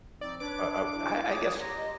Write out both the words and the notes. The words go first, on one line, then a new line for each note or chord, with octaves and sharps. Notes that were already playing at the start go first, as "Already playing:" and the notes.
uh, I I guess
F3 C4 D#4 D5
D4 B4 C#5 D6
E4
G3 C#5 A5 D#6
G4 A#5 C6
D#5